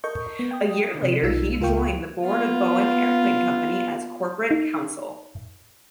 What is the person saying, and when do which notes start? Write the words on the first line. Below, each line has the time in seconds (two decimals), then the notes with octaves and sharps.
A year later he joined the Board of Boeing Airplane Company as corporate counsel.
0.04 A4 A#4 D#5 C#6 G6
0.39 B3
0.51 G5 D#6
1.03 C3 F3
1.23 B1 D#4 F4 E6
1.61 C#2 F4 A#4 F5 G5 C#6
2.24 B3 F4
4.51 D#4